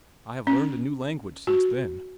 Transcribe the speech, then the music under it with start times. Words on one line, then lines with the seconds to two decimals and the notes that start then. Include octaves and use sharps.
I have learned a new language since then.
0.47 C#4
1.47 F#4